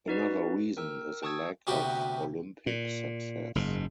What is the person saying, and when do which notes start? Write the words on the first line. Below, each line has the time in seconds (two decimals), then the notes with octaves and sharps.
Another reason is the lack of olympic success.
0.08 D#4 F#4 B4 D5
0.77 A#4 G5 E6
1.23 G5 A5 C#6 D#6 E6 G#6
1.67 D2 C3 B3 F#4 G4
2.66 A#2
3.55 F#1 G#2